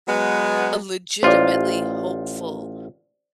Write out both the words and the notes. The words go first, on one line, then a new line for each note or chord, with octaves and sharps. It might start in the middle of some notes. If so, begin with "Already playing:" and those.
a legitimately hopeful,
F#3 G#3 B3
A1 F4 C5 D5